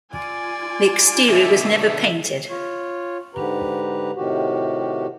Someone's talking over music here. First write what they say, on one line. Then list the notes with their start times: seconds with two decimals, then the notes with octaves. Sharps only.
The exterior was never painted.
0.14 F4 D5 G#5
1.29 B2 D3 E5
2.49 F4 C#5
3.35 G#2 D3 G4 B4 A#5
4.16 A2 C3 D#3 F#4 G4